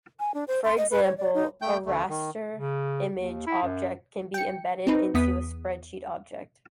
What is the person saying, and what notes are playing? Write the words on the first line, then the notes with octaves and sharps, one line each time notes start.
For example, a raster image object can be embedded into a spreadsheet object.
G#5
D4
C5
C6
D#5
B4
C#5
D5
D#4
A3 G5 G6
D2 A3
D#3
C#3
D#2
E4
F#2
G5 C#7
C4 D#4 B4
E2 B3 D#6 B6